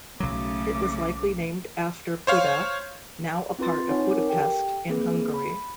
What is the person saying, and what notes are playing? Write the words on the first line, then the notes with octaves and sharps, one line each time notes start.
It was likely named after Buda, now a part of Budapest, in Hungary.
B1 C#3 F#3 A3 D6
C5 C#5 F5
C4 E4 F4 B4 C6 A6
C4 D#4 C#5 F#5 G#5
A#4 D6
G4 A4 G5
A#3 C4 G#4 B4
B5